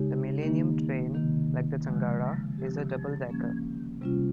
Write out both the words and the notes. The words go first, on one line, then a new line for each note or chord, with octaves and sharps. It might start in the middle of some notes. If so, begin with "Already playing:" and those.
The Millennium train, like the Tangara, is a double decker.
Already playing: C#3 G#3 D#4 G4
D#3 A#3 D#4
C3 D#3 A#3
C#3 F3 G#3
F3 C4 G4
F3 A#3 C#4
C3 G3 C#4 F4